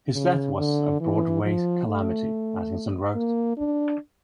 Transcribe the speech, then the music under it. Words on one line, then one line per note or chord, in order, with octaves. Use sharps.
"His death was a Broadway calamity," Atkinson wrote.
C#3
D3
E3
F3
A3
A#3
D4